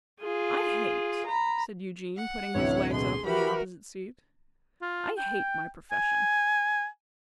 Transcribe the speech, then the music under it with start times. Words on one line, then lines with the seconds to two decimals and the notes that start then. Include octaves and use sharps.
'I hate,' said Eugene, putting his legs up on the opposite seat, 'I hate my profession.'
0.21 F4 G#4
1.26 A#5 B5
2.17 F#5
2.54 A1 D2 C3 E4 C#5
2.93 B2 G#4 C6
3.26 E3 F#4 G4 A#4 B5
4.82 F4
5.18 G5
5.92 G#5